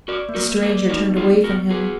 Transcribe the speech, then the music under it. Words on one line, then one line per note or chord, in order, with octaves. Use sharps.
The stranger turned away from him.
F#4 A#4 D5
A#3
F#4 A#4
A#3
G#4 B4
D5
D#4 F#4 A#4
B3
F4 G#4
B3
F#4 A#4
B3
F#4 G#4 B4